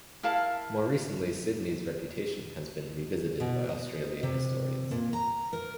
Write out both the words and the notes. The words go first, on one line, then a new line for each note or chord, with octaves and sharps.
More recently Sydney's reputation has been revisited by Australian historians.
E4 A#4 F5 A5
B2
D#5
C3
A#2
A#5
A#4